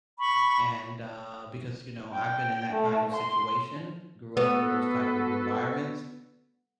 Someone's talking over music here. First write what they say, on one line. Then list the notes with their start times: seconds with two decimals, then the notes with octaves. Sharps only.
and, uh, because, you know, I've been in that kind of situation, grew up in those type of environments,
0.19 B5 C#6
2.13 G5
2.72 A3
3.14 C6
4.37 B3 F#4 A4 B4